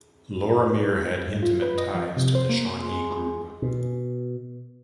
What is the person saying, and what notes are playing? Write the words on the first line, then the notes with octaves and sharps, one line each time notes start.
Lorimier had intimate ties to the Shawnee group.
G2
F4
B4
D#5
F3
C3
C5
A#3
G#3
B2